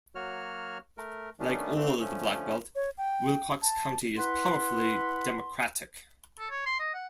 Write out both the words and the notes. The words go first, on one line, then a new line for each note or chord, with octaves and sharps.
Like all of the Black Belt, Wilcox County is powerfully Democratic.
F#3 A#3 F#4 C#5 F6
A3 A#4
D#3 A3 B3 C#4 D4
D3 E3 A3 A#3 C4
D3 F3 A3 C#4
C#5
G5
A5
E4 B4 F#5 B5 C6
A4
C#5
C6
D#5
F#5